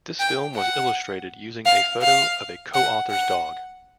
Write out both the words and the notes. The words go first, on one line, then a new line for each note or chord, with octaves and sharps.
This film was illustrated using a photo of a co-author's dog.
G5
F#5
F5
F5
F#5
F#5